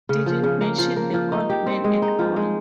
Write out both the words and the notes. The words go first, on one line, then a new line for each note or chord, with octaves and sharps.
Didn't mention the old man at all.
C#3
F3
C#3
A#3
F3
A#3
F3
D#4
G4
C4
G#3
D#4
F3
G#3